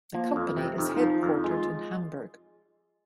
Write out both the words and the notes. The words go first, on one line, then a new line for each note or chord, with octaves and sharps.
The company is headquartered in Hamburg.
F3 A#3
F2
C3 C4
F2 D#4
C#4
D#4
F3
F2
G#3 F4